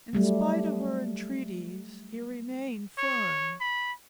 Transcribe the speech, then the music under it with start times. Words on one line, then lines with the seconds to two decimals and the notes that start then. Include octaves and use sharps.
In spite of her entreaties he remained firm.
0.13 F#3 G3 A3
2.98 C#5
3.61 B5